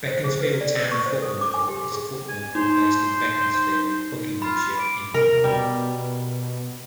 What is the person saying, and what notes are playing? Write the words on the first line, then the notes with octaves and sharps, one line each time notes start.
Beaconsfield Town Football Club is a football club based in Beaconsfield, Buckinghamshire, England.
C5
G#4
B4
D5
E6
C#6
C5
A4
D6
G#5
G4
G#4
G#5
D#4 C5
F4 B5
D6
C3 A#4
B2 G3